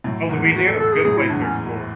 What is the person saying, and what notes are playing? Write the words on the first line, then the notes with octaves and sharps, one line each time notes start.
Oh, Louisiana is a good place to explore.
F#2 A2
E2 G#2
F#4
A4
A4
G#4
F#2 A2 G#4
E4
E2 G#2 D4
C#4